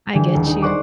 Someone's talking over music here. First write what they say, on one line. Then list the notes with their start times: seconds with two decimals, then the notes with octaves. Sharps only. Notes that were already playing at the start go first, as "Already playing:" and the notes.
I get you.
0.15 D3 E3 G#3 G4
0.35 D#1
0.47 D#4
0.62 C5 D5 F#5 C#6 D6